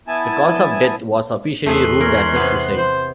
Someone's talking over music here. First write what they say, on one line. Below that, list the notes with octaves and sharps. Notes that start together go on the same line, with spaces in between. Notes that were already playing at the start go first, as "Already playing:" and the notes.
The cause of death was officially ruled as a suicide.
B3 E4 G#5 A5
E2 A3 G#4 E5 C6 F#6
C#4 A#4
C3 B3
C5